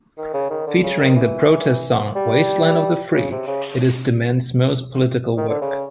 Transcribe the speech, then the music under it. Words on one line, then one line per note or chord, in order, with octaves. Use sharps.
Featuring the protest song "Wasteland of the Free", it is DeMent's most political work.
D#3
C#3
D#3
D3
C#3
D#3
E3
G3
C#3
C3
C#3
D#3
D3
C#3